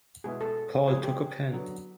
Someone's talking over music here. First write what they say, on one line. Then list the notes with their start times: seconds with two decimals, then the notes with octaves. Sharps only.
Paul took a pen.
0.24 B2 G#3 B3 E4 G#4
0.41 A4
0.88 F3 G#3 C4 G#4
1.04 G4
1.51 D3 F#3 B3